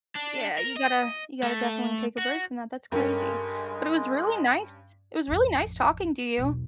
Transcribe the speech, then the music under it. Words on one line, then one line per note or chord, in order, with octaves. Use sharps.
Yeah, you gotta you gotta definitely take a break from that, that's crazy. But it was really nice it was really nice talking to you.
D4
A#4
D#5
A3
F#4
G2 G#3 C#4 A4 A#4 G5
A1 F2
B1 E2